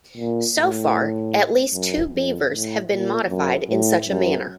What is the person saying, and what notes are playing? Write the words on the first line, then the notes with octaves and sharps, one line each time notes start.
So far, at least two Beavers have been modified in such a manner.
A#2
A2
F#2
F2
A2
A#2
F#2
A2
F#2